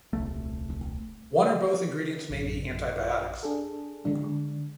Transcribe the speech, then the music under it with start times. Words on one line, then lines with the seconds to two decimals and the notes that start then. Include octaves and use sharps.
One or both ingredients may be antibiotics.
0.13 D#1 C2 A3
2.30 A1 F#2
3.43 D4 G#4 A4
4.05 D3 G#3 D4